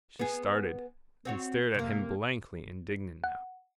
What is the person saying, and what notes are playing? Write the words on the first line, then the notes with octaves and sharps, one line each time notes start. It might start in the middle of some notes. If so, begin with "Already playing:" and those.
She started, and stared at him blankly indignant now.
B3 G#4
C4 F#4 C#5
C3 A#3
F#5